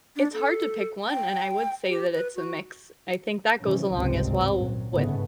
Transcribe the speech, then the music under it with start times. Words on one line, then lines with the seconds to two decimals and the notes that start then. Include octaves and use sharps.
It's hard to pick one, and I would say that it's a mix, I think that goes along as well with
0.16 D4
0.33 A4
1.11 G5
1.89 G4
2.13 B4
2.36 F#4
3.60 C3 D#3 E3 F#3 C#4
3.93 G#1 C#2 G2 C3 G3 C4
4.57 A#2 F#3
4.89 G1 G#2 C#3 A3 B3